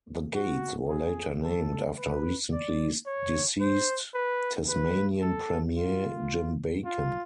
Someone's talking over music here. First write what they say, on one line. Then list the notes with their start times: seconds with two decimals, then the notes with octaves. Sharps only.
The gates were later named after recently deceased Tasmanian Premier Jim Bacon.
0.35 F#4
0.89 G#4
1.44 A4
1.98 B4
2.52 D5
3.06 C#5
3.60 C5
4.14 B4
4.69 B4
5.22 A4
5.77 F4
6.85 F4